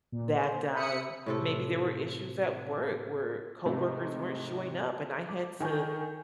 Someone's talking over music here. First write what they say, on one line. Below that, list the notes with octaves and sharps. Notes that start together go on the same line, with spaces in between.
that, um Maybe there were issues at work where coworkers weren't showing up and I had to
A#2
C5
E5 B5 D#6 C#7
A2 C3 A4
G#2 C3 A3
D6
D#3 G#5 C#6 G6